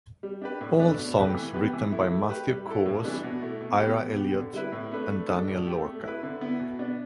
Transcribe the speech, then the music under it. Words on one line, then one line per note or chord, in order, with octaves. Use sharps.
All songs written by Matthew Caws, Ira Elliot and Daniel Lorca.
G3
D4 G4 B4
A2
A3 D4 B4
B2
A3 G4 B4
E3
B3 G4 B4
E3
A3 E4
A3
G4 B4
G3
E4 A4
A2
E3 G3 D4 B4
B2
A3 E4
B2
B3 G4
B2
B3 G4
D3
G3 E4 B4
A2
A3 D4 B4
A3
D4 A4
A2
A3 G4
A3
E4 B4
D3
B3 E4
B2
B3 D4